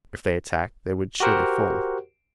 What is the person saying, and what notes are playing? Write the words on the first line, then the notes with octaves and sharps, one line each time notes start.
If they attacked they would surely fall.
F#4 G4 A#4 C5 F#5